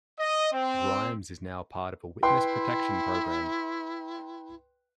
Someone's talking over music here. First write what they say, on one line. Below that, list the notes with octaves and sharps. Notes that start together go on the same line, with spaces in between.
Grimes is now part of a witness protection program.
D#5
C4
E4 B4 G5 C6